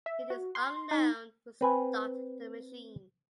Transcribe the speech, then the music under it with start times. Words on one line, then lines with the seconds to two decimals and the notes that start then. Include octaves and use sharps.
It is unknown who stocked the machine.
0.06 E5
0.30 F#4
0.55 C6
0.91 D#4
1.61 C4 B4 G#5